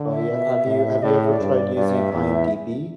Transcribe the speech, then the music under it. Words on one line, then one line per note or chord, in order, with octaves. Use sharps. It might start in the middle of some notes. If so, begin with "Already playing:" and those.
Oh, yeah. Have you Have you ever tried using IMDb?
Already playing: D3
E5
B2
A2
A2 D5
E5
D5
G2
G2 D5
E5
E2